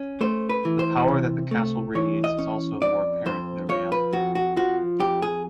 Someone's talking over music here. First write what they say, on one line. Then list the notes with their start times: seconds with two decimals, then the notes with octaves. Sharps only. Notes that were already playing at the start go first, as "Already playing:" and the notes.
The power that the castle radiates is also more apparent than reality.
Already playing: C#4
0.21 A3 C5
0.49 B4
0.65 E3
0.79 C5
1.08 C3
1.51 A3
1.95 E3 C#5
2.24 D#5
2.39 C#4
2.82 F2 D5
3.26 F2 C5
3.69 F3 C#5
3.92 B4
4.13 F2 F#4
4.35 F#4
4.57 F3 F#4
5.00 F2 G4
5.22 G#4